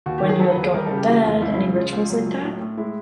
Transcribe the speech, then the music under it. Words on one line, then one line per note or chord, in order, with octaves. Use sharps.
when you're, like, going to bed? Any rituals like that?
D#2 F#4
D#3 G4
G#4
F#3 A4
B4
D#2
G#4
G3 A#4
A4
C#3
G4
E3 F#4
F2 F4
C#2 E4
E4
C#3
F3 F4
C#2
F#3
F#3
A2
A2
G#3 E4